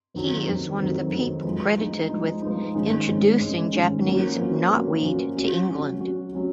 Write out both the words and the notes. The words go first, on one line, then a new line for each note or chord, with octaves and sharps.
He is one of the people credited with introducing Japanese knotweed to England.
F2 D#3 F#3
F2 D#3 F#3
F2 D#3 F#3
F2 D#3 F#3
F3 G#3 D#4
F3 G#3 D#4
F3 G#3 D#4
F3 G#3 D#4
G#2 D#3 G#3 C#4
G#2 D#3 G#3 C#4
G#2 D#3 G#3 C#4
G#2 D#3 G#3 C#4
F3 A#3 C#4 F#4
F3 A#3 C#4 F#4
F3 A#3 C#4 F#4
F3 A#3 C#4 F#4
F#3 C#4 F#4
F#3 C#4 F#4
F#3 C#4 F#4
F#3 C#4 F#4